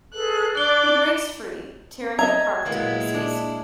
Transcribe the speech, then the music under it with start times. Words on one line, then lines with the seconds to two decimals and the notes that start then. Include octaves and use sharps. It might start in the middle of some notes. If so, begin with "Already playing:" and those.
He breaks free, tearing the park to pieces.
0.14 G#4 A4 B4 F#6
0.55 D4 D5 F#6 G7
2.19 D#5 E5 A#5 G#6
2.65 A#2 F#3 G#3 A#3 B3 E4
3.14 D4